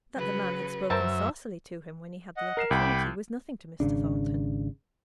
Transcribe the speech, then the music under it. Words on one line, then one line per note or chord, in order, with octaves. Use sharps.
That the man had spoken saucily to him when he had the opportunity, was nothing to Mr. Thornton.
C#3 F#3 B4
F#2 A#4 C5 E5 A5
D#5 F#5
A#4 C7 E7
C2 G5 B5 D6
G#1 C#3 D4